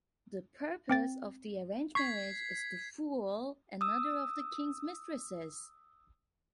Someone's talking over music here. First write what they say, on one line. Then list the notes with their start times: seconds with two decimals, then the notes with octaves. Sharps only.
The purpose of the arranged marriage is to fool another of the King's mistresses.
0.89 C4 G5 A6
1.95 C#6 G#6 B6 C7
3.81 D#6 E6